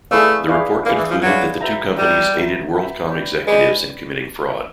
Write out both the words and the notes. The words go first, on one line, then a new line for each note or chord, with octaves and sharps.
The report concluded that the two companies aided WorldCom executives in committing fraud.
A3 E4 G#4 B4 D5 F5
E4 G#4 B4 D5 F5
A#3 E4 G#4 B4 D5 F5
E3
F3
F#3 E4 G#4 B4 D5 F5
F#4 B4 E5 G5 A#5
G3 F#4 B4 E5 G5 A#5
F#4 B4 E5 G5 A#5
F#4 B4 E5 G5 A#5
B4 D5 G5 B5
G#3 B4 D5 G5 B5